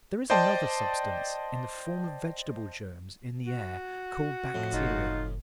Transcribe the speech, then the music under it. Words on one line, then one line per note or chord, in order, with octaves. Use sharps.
There is another substance in the form of vegetable germs in the air called bacteria.
C5 D5 D#5 G5 A5 C6
F#4
F2 A2
F#1 D#4 F4